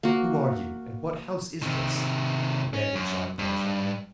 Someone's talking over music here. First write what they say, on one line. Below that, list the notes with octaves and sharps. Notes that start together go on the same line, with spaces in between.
"Who are you? and what house is this?" demanded Jean Valjean.
A#3 F#4
C3 D#3
C#4
F#2
G2